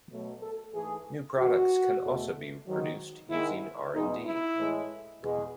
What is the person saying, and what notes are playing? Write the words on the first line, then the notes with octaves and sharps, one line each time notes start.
New products can also be produced using R and D.
B2 F#3 A3
A4
G#2 E3 A3 G#4
F#2 E3 G#3 F#4
E2 B2 A3
G#2 D#3 F#3
G#2 D#3 G#3 E4
E2 B2 G#3 D#4
E4
A2 E3 G#3
E2 B2 G#3